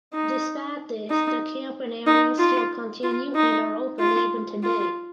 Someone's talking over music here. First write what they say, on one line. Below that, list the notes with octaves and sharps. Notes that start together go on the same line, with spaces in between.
Despite this the camping areas still continue and are open even today.
D#4
D#4
D#4
F4
F4
D#4
F4
F4